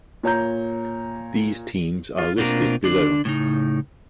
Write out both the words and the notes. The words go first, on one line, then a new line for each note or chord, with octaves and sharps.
These teams are listed below.
A#2 C#5 A#5 G6
F4
B2 A#3 C4 D4 F4 A#4
D3 D4
A2 C#3 D#4